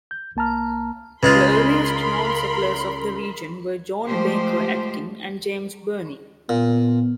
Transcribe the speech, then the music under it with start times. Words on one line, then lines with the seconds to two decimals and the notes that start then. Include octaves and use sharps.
The earliest known settlers of the region were John Baker Atkin and James Burney.
0.11 G6
0.36 C2 A#3 A5 A#5 F6
1.23 C#2 C#3 G#3 F4 A#4 B4 B5 C6
4.06 F3 G#3 A3 G4 C5
6.49 A#2 B3